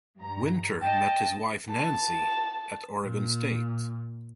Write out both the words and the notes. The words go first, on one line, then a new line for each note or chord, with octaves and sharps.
Winter met his wife Nancy at Oregon State.
G2 A#5
D#5 G5 A5
A5
A#2